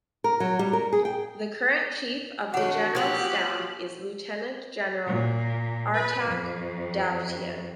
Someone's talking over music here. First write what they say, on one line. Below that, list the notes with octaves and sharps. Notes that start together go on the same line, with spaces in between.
The current Chief of the General Staff is Lieutenant General Artak Davtyan.
A#4
F#3
G3
A#4
G#4
G5
D#3 D4 F#4 C#5 F#5
F3 F#3 A#3 G4 F#6
A#2
B4
F2